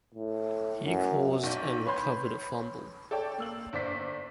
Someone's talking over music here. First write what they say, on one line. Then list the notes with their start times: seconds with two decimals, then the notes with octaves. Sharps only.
He caused and recovered a fumble.
0.15 A2
0.85 F#2
1.43 B1 D4 G6
1.86 B4 C#5 B5 C6 G6
3.11 A4 C#5 D5 G5
3.38 A#3 E6 F#7
3.73 G1 C5 D5 B6